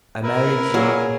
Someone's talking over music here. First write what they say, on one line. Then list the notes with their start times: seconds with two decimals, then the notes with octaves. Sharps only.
I married young.
0.24 E4 A#4 B4 E5
0.74 F#3 A#3 G#4